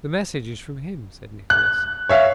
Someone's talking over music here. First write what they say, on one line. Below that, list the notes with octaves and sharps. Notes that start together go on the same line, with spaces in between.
'The message is from him,' said Nicholas.
F#6
C#5 E5 F5